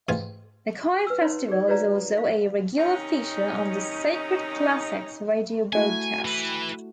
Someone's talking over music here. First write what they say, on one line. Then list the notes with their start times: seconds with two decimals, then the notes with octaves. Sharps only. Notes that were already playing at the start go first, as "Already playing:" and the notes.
The Choir Festival is also a regular feature on the "Sacred Classics" radio broadcast.
0.09 A1 G#2 E3 F4 G#5
1.07 B4 E6
1.21 D#4 C#5 F#5 C6
1.48 G4 G#4 D5
1.68 F#4 B4 C#5 D5 F5 A#5
2.18 F5
2.78 C3 D#3 C#4 D#4
5.73 A3 E4 F#4 G#5
6.25 E3 B4